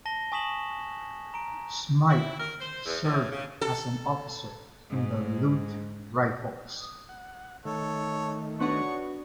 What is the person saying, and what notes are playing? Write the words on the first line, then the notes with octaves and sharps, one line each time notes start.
Smythe served as an officer in the Louth Rifles.
A5 A#6 G7
G#5 C#6 D#6 B6 E7 F#7
A#5 D7
E4
A#4
C5
E2
A2
C#3
A4
G#2
F#5
D#3 A3 A4 C#5
B3 D4 F#4 C#5 C#6